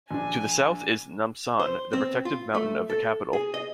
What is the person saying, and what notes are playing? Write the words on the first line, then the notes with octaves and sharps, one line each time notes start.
To the south is Namsan, the protective mountain of the capital.
A#1 D4 G#5
C5
C4
F4
A3
A4
G#4
D#5